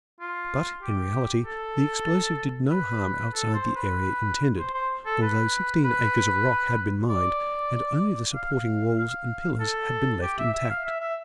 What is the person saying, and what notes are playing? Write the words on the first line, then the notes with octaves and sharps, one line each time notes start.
But, in reality, the explosive did no harm outside the area intended, although sixteen acres of rock had been mined and only the supporting walls and pillars had been left intact.
F4
G4
A4
B4
A4
C5
B4
C5
C5
A4
B4
B4
D5
F5
F5
A4
G4
E5
E5
F5
E5
E5